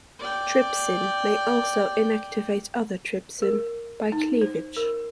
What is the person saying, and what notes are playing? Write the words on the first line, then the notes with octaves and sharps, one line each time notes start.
Trypsin may also inactivate other trypsin by cleavage.
D5 G5
A#4
D#4
C5
A#4